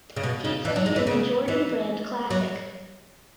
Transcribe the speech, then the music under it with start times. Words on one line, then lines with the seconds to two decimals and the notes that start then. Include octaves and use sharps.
He played in the Jordan Brand Classic.
0.16 C#3
0.23 B2
0.45 C#3
0.65 E3
0.76 F#3
0.86 G#3
0.96 E3
1.07 C#3
1.48 E3
2.30 F#3